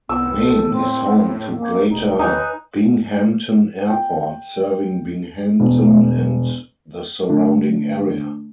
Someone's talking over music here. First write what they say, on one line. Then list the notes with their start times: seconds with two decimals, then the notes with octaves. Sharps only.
Maine is home to Greater Binghamton Airport, serving Binghamton and the surrounding area.
0.09 C2 B3 E6
0.38 A4
0.72 A2 C4
1.53 A#3
1.90 E1 D#4
2.19 D#2 D#4 B4 G#5
3.90 G5
5.60 E1
7.30 D3 A3 D4